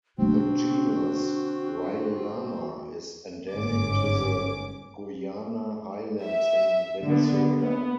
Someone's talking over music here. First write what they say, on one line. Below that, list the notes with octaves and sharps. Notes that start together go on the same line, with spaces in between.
The genus "Riolama" is endemic to the Guiana Highlands in Venezuela.
B2 D3 C4 D4 F#4
G1 G#2 C#4 D6
E5
D3 B3
B3